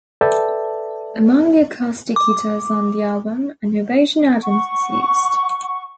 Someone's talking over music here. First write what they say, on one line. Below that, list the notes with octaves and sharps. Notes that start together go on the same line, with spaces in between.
Among the acoustic guitars on the album, an Ovation Adamas was used.
A4 B4 D5 E5 G5 A5
D6
F#5 C#6